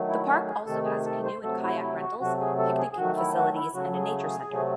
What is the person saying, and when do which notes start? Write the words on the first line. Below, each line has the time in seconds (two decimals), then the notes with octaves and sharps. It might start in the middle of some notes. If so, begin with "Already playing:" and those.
The park also has canoe and kayak rentals, picnicking facilities, and a nature center.
Already playing: D#3 F#3 A3
0.08 E4
0.28 F#4
0.47 G#4
0.66 C3 D#3 A3 A4
0.85 G#4
1.05 A4
1.24 C5
1.43 C3 F#3 A3 A4
1.63 E4
1.82 E4
2.01 F#4
2.20 C3 F#3 A3 F#4
2.40 G#4
2.58 A4
2.78 G#4
2.92 G#4
2.97 D#3 F#3 A3 F#4
3.17 E4
3.36 F#4
3.55 E4
3.74 C#3 F#3 A3 F#4
3.94 G#4
4.52 C3 F#3 A3